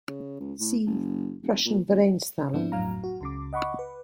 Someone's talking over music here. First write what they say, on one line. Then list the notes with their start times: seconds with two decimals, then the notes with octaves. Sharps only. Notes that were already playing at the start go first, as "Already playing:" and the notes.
See Prussian Vereinsthaler.
0.09 C#3
0.40 C#2
0.60 A2
0.87 F#1
1.43 F1
1.66 A#2
1.88 D#1
2.53 G#2 F3 B3 C4 D4 E4
2.72 G1 F2 A2 F#3 F5 A#5
3.04 F#4
3.21 C#2 C#3 D6
3.53 D#5 F#5 B5 C#6 D6
3.79 B4